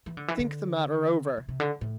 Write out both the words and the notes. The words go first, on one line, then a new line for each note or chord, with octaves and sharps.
Think the matter over!
E3
D3
E3
D3
C3
C3
D3
A2